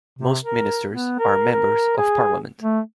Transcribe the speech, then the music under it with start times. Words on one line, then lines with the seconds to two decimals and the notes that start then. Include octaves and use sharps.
Most ministers are members of Parliament.
0.19 C3
0.44 A#4
0.91 B3
1.19 A#4
1.52 A#4
1.97 G#4
2.61 A3